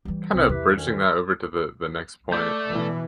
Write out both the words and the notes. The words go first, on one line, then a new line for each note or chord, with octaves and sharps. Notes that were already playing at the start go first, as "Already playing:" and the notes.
kind of bridging that over to the the next point,
E3 G3
C2 C4
E2 E4 G4 B4
D2 D#3 C#4
A3 D5 D6 G6
B2 E3